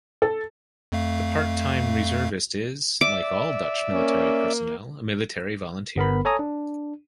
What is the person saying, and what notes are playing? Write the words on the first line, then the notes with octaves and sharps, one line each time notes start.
The part-time reservist is, like all Dutch military personnel, a military volunteer.
A4
F2 A3 F5
D5 E5 D6
A#3 C#4
G1 B3 A#4 B5
A4 C#5 G#5 A#5 D#6
D4